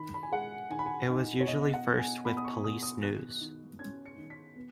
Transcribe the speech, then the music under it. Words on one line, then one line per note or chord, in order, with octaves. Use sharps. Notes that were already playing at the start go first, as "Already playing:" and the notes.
It was usually first with police news.
Already playing: D#3 B5
B5
G#5
G#3 F#5
D#3 G#5
B5
G#5
D#4
C#5
B2 D#5
F#5
B2
G#5
B2 B5
D#6
C#6
B2 D#6
D#6
D#3 F#6
D#3
C#4 G#6
C#7
D#3
B6
B3